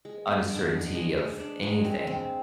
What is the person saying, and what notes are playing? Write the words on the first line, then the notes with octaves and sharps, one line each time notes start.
uncertainty of anything
G#3
B3
D4
G#3
G#3
G#3
D4
G#3
C4
C4